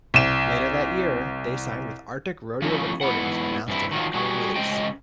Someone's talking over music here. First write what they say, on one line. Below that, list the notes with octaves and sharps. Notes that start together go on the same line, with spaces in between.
Later that year, they signed with Arctic Rodeo Recordings and announced an upcoming release.
C2 E7
F3 A3 A#3 C4 C#4 E4
G#2 B3 E4 F#5
G2 C4 E4
D#3 F#3 F4
F#3 G3 F#4 G#4
C#3 G#3 C#4 C5 D#5 G5